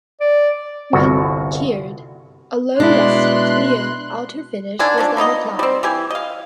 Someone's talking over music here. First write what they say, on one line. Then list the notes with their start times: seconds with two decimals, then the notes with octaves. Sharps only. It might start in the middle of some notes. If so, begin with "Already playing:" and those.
When cured, a low-luster clear outer finish was then applied.
0.20 D5
0.93 G1 C2 F#4
2.80 B2 G#3 D4 E4 C6 F#6
4.79 D3 D#3 D4 G#5
4.98 F3 C#4 D4
5.17 A#3 B3 D#4 D#5
5.59 G3 C4
5.83 E3 G4 G#5
6.10 D#5 F5